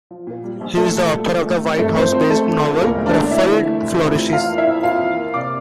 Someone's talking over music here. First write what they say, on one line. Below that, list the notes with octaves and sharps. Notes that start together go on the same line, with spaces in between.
He is the author of the White House-based novel, "Ruffled Flourishes".
F3
A#2
G3
A#1
A#1 A3 A4
A#2
G3
F3
A3
C4
G2 A3 A4
F3 C4 C5
A3 C4 C5
D2 A3 A4
D3
F3
E1 A#3 A#4
D2
D4 D5
D3
F2 E4 E5
E3
A3
F1
F2
E3
E3 F4 F5
A#3
E4 E5
F2
F2 F4 F5
E3
A#3
C3 D5 D6